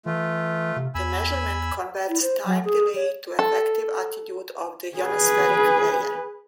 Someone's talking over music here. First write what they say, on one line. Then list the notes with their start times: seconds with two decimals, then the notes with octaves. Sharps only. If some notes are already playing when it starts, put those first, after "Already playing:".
The measurement converts time delay to effective altitude of the ionospheric layer.
0.06 E3 A3 F4
0.77 C3
0.95 E2 G#5 B5 E6
2.09 E4
2.22 C5
2.46 F#3
2.65 G#4
2.95 C#5
3.39 A4
4.98 G#4 B4